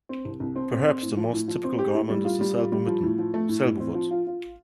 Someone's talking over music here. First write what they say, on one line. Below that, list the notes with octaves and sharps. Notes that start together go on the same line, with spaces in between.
Perhaps the most typical garment is the Selbu mitten, "selbuvott".
C4
C2
C2
C4
C4
C4
A2
F3
A2
F3
C4
G4
A2
G3
F4
G3
F4
G3
F3
A2
F3
A3
A2
A2
C4
F3
F4
F4